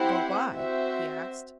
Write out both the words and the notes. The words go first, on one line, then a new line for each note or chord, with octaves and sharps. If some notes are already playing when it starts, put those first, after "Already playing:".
"But why?" he asked.
Already playing: C4 E4 G4 C5 F#5
C4 F#4 C5 E5